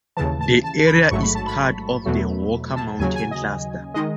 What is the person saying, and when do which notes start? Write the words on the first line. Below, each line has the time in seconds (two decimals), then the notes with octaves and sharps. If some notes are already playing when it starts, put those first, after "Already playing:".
The area is part of the "Walker Mountain Cluster".
0.17 D#2 C#3 E3 A5
0.41 A5
0.64 A5
0.87 B5
1.11 A1 G#2 F#3 A3 C#6
1.23 B5
1.35 A5
1.47 B5
2.06 E2 B2 F#3 A3
2.76 A5
2.99 D#2 C#3 F#3 G#5
3.16 G#5
3.31 D#5
3.94 D#3 G#3 D#5